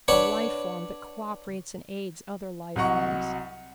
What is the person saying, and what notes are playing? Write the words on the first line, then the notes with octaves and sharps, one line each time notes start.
A life form that cooperates and aids other life forms.
D4 B4 C#5 F#5
C2 F#3 D#5 F#5 C#6